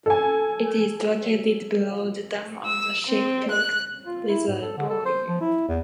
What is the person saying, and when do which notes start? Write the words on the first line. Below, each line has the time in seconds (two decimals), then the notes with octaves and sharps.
It is located below the dam of the Shek Pik Reservoir.
0.06 A4 G#5
2.66 E6
3.08 C4
3.52 F#6
4.05 F4
4.29 E4
4.47 G#2
4.62 A4
4.77 D3
4.90 A4
5.05 C5
5.27 F3
5.41 E4
5.68 E2